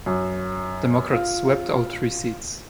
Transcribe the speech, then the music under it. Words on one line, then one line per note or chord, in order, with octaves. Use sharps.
Democrats swept all three seats.
F#2
F4